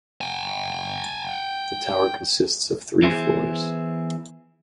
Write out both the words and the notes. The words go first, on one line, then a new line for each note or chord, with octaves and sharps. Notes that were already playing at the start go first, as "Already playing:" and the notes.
The tower consists of three floors.
G5 G#5
E3 B3 E4 G#4 C5